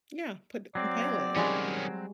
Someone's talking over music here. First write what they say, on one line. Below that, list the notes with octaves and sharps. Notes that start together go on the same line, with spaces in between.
Yeah. Put compile it.
F#3 C4 D5
D#3 G3 G#3 C#4 F#4